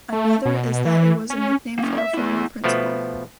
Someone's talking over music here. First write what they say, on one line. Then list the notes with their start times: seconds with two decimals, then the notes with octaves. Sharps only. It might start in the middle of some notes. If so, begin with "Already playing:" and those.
Another is that it was a nickname for a former principal.
0.12 A3
0.45 B2
0.85 E3
1.30 C#4
1.79 A#3 C#4
1.98 E5
2.14 B3 E4
2.64 B2 F3 A3 B3